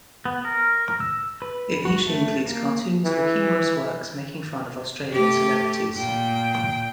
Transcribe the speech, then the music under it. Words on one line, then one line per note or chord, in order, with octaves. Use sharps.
It usually includes cartoons or humorous works making fun of Australian celebrities.
B3
A#4
E6
B4
F#4
A3
A#3
E3
A3 G4
A#2 G5